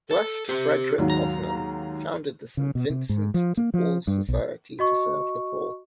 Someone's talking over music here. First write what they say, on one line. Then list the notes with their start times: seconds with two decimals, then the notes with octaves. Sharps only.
Blessed Frederic Ozanam founded the St. Vincent de Paul Society to serve the poor.
0.11 A4
0.49 G4 C5
0.98 D#2 G#2 F#3
1.10 A#5
2.57 C#3
2.75 B2
2.90 C3
3.09 G#2
3.34 F3
3.57 A#3
3.74 F3
4.07 G2
4.28 B1
4.79 F#4 D#5 C#6